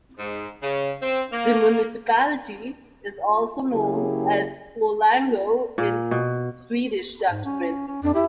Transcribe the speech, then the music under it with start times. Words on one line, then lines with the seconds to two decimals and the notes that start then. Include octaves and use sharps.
The municipality is also known as "Puolango" in Swedish documents.
0.19 G#2
0.62 C#3
1.01 C4
1.32 A#3
3.73 C#3 F#3 A#3 E4 G4 G#4
5.78 A#2
6.11 B2
7.31 G#2
7.45 C#4
7.87 C#4
8.03 F2 D4
8.14 E4 G4